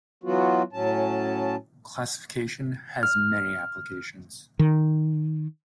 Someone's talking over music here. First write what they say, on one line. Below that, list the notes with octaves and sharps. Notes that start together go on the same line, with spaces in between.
Classification has many applications.
E3 F#3 B3 F4 F#4
A2 F#3 C#4 A5
F6
D#3